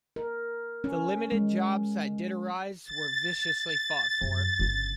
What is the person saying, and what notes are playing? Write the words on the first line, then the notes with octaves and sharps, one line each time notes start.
The limited jobs that did arise were viciously fought for.
A#4
C#4
G#3
A6
F#2
G1 C#3